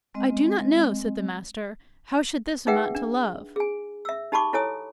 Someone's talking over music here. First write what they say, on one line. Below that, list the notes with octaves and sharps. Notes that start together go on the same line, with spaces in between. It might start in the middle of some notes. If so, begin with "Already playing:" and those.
I do not know, said the Master: how should this amount to love?
G#3 C4 D#5
D#4 G#4 B4 E5 F#5 G5
D4
G#4 G#5
E5 E6
D#4 G4 A5 B5 C#6 D6
E4 A4 C#5 G#5 D#6